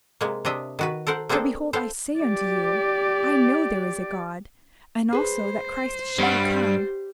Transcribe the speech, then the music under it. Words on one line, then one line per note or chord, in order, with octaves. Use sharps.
For behold, I say unto you, I know there is a God, and also that Christ shall come.
C3 G#3 A#3
C3 D4 D#5 E5
D#3 F#4 B4
A4 A#4 C5 F#5
A#3 C4 D4 G#4 A4 C5
A4 C5 F5 G5
G4 D5
G#4 B4 C5
G2 G3 C#5 F#5